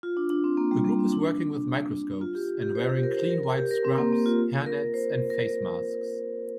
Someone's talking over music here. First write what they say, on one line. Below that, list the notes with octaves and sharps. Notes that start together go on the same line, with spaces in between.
The group is working with microscopes and wearing clean white scrubs, hairnets and face masks.
F4
D4
D4
C4
A#3
G3
A#3
C4
D4
F4
G4
G4
C5
G4
A#4
C5
A#4
A#4
G4
A#4
C4
A#3
A#3
F4
A#4
C5
A#4